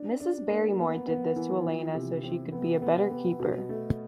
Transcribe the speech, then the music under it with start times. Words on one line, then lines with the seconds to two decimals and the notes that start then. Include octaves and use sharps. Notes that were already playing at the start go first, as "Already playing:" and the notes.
Mrs. Barrymore did this to Elena so she could be a better keeper.
Already playing: D4
0.20 D4
0.50 A#3
0.79 B3
1.07 B3
1.36 E3
1.66 F3
1.94 C3
2.23 C4
2.52 B3
2.82 B3
3.11 B3
3.40 B2
3.69 A3